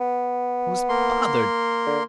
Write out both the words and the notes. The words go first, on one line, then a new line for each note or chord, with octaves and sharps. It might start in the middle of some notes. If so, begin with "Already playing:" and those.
I was bothered!
B3
A#3 C6
D3